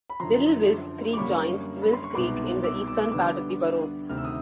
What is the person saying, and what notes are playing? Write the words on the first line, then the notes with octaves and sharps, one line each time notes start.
Little Wills Creek joins Wills Creek in the eastern part of the borough.
B5
F#2 D3 F3 A#5 C6
D6
F#2 D3 G3 A#3 C#4 B5 C#6
B5
C6
C#6
C2 B2 G#3 B3 D#4 C6 D6
D6 E6
D6 E6
D6 E6
D3 G3 B3 D4 D6 E6
D2 C3 D#3 F6
E6
D#6